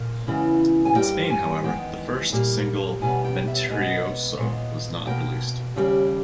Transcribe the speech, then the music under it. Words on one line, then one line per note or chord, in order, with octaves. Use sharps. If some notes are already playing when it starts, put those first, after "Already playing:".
In Spain however the first single "Mentiroso" was not released.
Already playing: A#2 A#3
E2 C#3 E3 G#3 B3
G#5
G2 D#3 G3 A#3 G5
G#5
E2 D#3 G#3 B3 G5
A#2 G3 A#3
B2 G3 B3 G#5
G5
E5
B2 G#3 B3 D#5
A#2 G#3 B3
B2 A#3 G5
D#2 C#3 G3